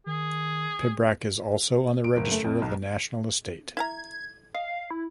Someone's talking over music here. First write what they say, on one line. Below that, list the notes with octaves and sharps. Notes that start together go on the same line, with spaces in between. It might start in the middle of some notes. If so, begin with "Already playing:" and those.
Pibrac is also on the Register of the National Estate.
D#3 G#4
D7
F#1
A3
F2
B1
E4 F5 A#5 G#6
D#5 F5
E4